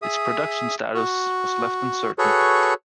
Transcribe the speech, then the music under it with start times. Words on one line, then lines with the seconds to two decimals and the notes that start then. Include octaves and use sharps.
Its production status was left uncertain.
0.02 G#4 E5 D#6
0.95 F#4
2.18 F#4 G#4 A4 B4 C#5